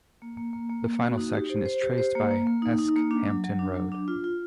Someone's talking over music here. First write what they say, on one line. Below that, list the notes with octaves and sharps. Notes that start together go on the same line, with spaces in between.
The final section is traced by Esk–Hampton Road.
A#3
A#3
A#3
A#3
A#3
F#4
D#4
G4
C5
C5
G4
C5
A#3
A#3
A#3
D#4
D#4
A#3
D4
F#3
F#3
D4
F#3
D4
F4
F4